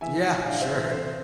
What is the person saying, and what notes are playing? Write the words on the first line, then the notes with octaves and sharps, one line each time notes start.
Yeah, sure.
E3 E5 G#5
A2
G#5
D3 D5 F5
C5 E5
E2
C5 E5
C3 A4 C5